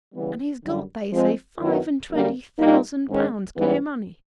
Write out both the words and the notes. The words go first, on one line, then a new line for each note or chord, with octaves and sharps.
"And he has got they say five-and-twenty thousand pounds clear money."
C#3 E3 G3 B3
F#2 D3 G3
F3 G#3 C4
F#2 D#3 F#3 B3 E4
F#2 D3 G3 A#3
A#2 G3 A#3 D#4
G#2 D#3 G#3 C#4
G#2 E3 G3 B3